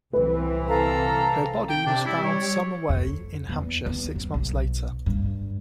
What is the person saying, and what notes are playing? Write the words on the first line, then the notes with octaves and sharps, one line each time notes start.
Her body was found some away in Hampshire six months later.
C2 E3 C4 B4
A4 F5 A#5
G5
C3 D4
G3 E4
C#5
F2
E2
E2
F#2
B1
G2